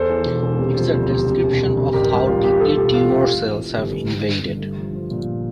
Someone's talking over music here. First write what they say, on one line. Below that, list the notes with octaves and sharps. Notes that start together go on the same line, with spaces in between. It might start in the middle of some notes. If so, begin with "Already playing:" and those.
It is a description of how deeply tumor cells have invaded.
Already playing: E2 A4 C5
E3
E1
E1
C3
F3
D2
C3
C3
E1
D2
D2
A1 G4 A#4
G2 G4
G3 F4
G3 G4
A3 F4 A4
E1 G4
E3 F4
E3 G4
E3
E3
E3
G1
A3
G1
G2
G1
A3
F3
F3
A#2